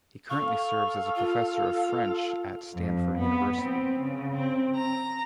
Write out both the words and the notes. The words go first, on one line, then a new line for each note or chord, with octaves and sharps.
He currently serves as a Professor of French at Stanford University.
A4 F5 C#6
F4
F2
B3
C4
C#3
C4
A#5